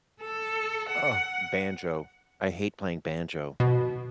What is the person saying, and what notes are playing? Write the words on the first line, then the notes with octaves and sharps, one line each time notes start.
Ugh, banjo, I hate playing banjo.
A4
F#5
B2